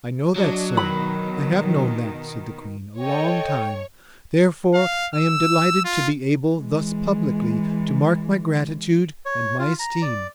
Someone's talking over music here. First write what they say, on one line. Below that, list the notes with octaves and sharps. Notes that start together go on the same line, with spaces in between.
"I know that, sir; I have known that," said the queen, "a long time; therefore I am delighted to be able thus publicly to mark my gratitude and my esteem."
F#3 D4 D#5
B2 D#3 B5
A4 C#5 D#5 G5
F5
E6
F4
E3 G#3
C#5
F4
A#5
D5